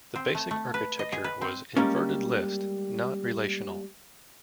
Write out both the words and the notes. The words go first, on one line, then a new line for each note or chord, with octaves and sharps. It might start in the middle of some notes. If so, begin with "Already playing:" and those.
The basic architecture was "inverted list", not relational.
C4
A3
A3
B4
D#5
G#4
B4
C4
G3 G#3 A#3 C#4